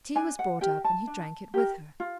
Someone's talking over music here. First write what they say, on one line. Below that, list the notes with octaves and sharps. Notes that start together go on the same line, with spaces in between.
Tea was brought up, and he drank it with her.
D4 G#5
F#5
G4 A#4 G5
A5
D4
G4 A#4
F4